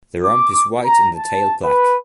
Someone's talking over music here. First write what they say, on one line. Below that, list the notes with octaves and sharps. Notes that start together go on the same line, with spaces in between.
The rump is white and the tail black.
D6
A#5
A5
B4